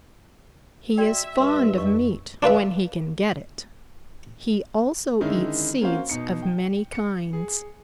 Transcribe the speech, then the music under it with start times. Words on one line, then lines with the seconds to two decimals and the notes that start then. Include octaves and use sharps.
He is fond of meat when he can get it. He also eats seeds of many kinds.
0.98 F#4 D5 E5 G5
1.38 G2 B4 C6
1.78 F2 D#5 C#6
2.43 D4 F4 B4 E5
5.21 D3 D#3 G#3 C#4 D#4 E4
5.81 A#3 C4 C#4 F#4 C5 F5
6.10 B2 D#4 C#7
6.42 G5
6.93 C#7
7.33 G#4